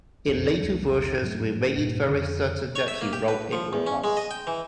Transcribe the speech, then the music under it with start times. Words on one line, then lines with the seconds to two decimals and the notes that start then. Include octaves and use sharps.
In later versions, we made it very certain that he wrote it with us.
0.27 F#1 B1 F2 D3
0.60 B1 E2 F#3
1.22 G#2 F#3 A3
1.75 D#1 G2 A#2
2.07 F2 D3
2.76 C#5
2.88 E5
3.01 A#3
3.13 G4
3.28 B4
3.52 F3
3.73 E2
3.87 C#4
4.04 G#3
4.17 D#5
4.31 G5
4.47 E3